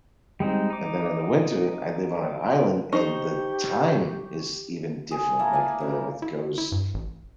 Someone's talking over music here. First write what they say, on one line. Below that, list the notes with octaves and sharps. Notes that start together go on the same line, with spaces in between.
and then in the winter I live on an island and the time is even different, like, the it goes,
G3 G#3 C4 D#4
D#4 D6
D#4 G4 C5 C#6
G#4
A#3 E4 A4
D5 G#5
C#3
E4
E4
G2
A1